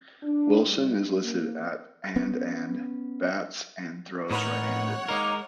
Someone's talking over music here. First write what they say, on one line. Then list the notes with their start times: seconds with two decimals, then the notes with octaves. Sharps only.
Wilson is listed at and and bats and throws right handed.
0.23 D4
0.66 G3
1.21 A#3
2.16 B3 C#4
4.31 A2 D#4 A#4 B4 C#5 F#5
5.08 G#3 A#3 D#4 A#4